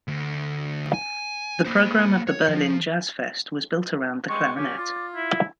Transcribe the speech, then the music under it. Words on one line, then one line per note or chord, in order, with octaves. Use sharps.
The program of the Berlin JazzFest was built around the clarinet.
D2
G#5
A#3 C5
C#5
F3
G3 G#3 C#6
A#2 C#4 G4 C#5
F4 D5
E4